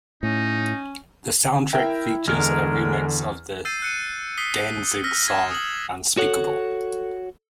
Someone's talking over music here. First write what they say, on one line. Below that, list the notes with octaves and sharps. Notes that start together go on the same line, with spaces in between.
The soundtrack features a remix of the Danzig song "Unspeakable".
A2 C#4 D#4
E4 A#4 E5 G5
E2 D3 G#3 A#4 F6
E6 G6 A6 C7 D#7
F#6 C#7 D#7
D#6 B6 C7 G7
E6 F6 A#6 B6
G#6 E7
D#6 F#7
F#4 A4 C#5 F#5